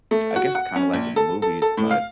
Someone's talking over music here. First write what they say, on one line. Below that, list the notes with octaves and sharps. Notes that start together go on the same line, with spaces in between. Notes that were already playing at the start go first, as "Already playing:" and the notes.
I guess kinda like in the movies, but
A3
F#4
F#5
C#4
A#1
A4
A4
A4
A2
F5